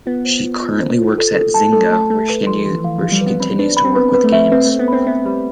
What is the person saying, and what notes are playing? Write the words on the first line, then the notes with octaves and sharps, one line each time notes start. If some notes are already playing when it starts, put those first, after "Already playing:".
She currently works at Zynga, where she continues to work with games.
B3 F4
C5
F4
F4
C5
F4
A4
A4
A5
A3 A4
A3 A5
A3 A4
B4
F3 C6
E3 C6
E3 F5
F3
F5
G3
B4
B3
C4 B5
D4 B4
B5
C4
B3 B4
B4
A3
E5
C4 B4
A3
B4
B3
C4 B5
B3 E5
G3 B5